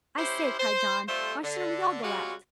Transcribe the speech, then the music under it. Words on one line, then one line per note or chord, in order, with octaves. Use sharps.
"I say," cried John, "why shouldn't we all go out?"
C#4 E4 G4 C5
C5
G3 A3 C4 F4 A4 C5
D3
C#3 G3 G#3 F4 F#4